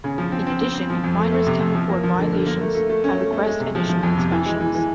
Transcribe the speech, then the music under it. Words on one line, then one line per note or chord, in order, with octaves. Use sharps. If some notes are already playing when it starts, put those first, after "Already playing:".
In addition, miners can report violations, and request additional inspections.
C#3
F3
C4
C4
C4
C4
F3
F2
A3
A3
C3
F2
F3
A#3
F3
D3
D3
A#3
A3
A3
A3
C#4
A3
A3
G#3
C3
F3
F3
F2
C3
E3
G#3
E3
E3